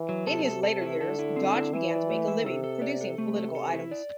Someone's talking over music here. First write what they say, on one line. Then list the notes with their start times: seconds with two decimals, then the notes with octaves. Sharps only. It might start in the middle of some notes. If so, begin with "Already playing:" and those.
In his later years, Dodge began to make a living producing political items.
Already playing: E3
0.09 F#3
0.27 C3 A4
0.45 A4
0.63 A4
0.82 E4
1.01 D3 A4
1.19 E4
1.36 C4
1.54 E4
1.73 E3 E4
1.91 D5
2.10 A3
2.28 E4
2.46 C3 A4
2.64 A4
2.82 D5
3.01 A4
3.18 C3 A3
3.36 A4
3.55 A4
3.73 E4
3.91 D5